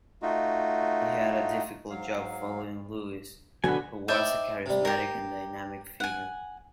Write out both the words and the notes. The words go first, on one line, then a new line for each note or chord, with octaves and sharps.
He had a difficult job following Lewis, who was a charismatic and dynamic figure.
A3 D#4 F4 F#4
G#2 F#3 F5
B2 D3 F3 F#3 A3 F#4 B4 G#5
D#4 C5 D5 E5 G5
C3 G3
G4 A#4 C#5
F#5 G#5